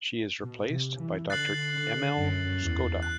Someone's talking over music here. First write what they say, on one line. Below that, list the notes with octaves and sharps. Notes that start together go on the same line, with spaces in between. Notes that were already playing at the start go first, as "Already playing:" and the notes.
She is replaced by Doctor Emil Skoda.
B2
C3
E3
D3 F#6 A6 C7 F#7
D3
F#2
E2
F#6